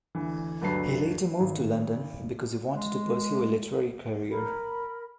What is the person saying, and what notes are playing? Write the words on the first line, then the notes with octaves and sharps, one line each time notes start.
He later moved to London because he wanted to pursue a literary career.
D2 E3
D2 G2 F#3 B4 A5 C7
G#1
G#3
A#4 B5